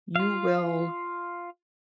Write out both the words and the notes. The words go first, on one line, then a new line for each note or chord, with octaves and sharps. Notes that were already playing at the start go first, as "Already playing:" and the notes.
you will
F4 F5